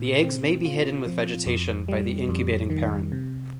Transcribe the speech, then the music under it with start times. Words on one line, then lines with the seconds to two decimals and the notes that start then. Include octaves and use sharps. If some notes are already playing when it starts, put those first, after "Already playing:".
The eggs may be hidden with vegetation by the incubating parent.
Already playing: A#2
0.23 C4
0.65 F4
1.06 F3
1.46 F2
1.88 G3
2.29 F2
2.70 D#3
3.12 C3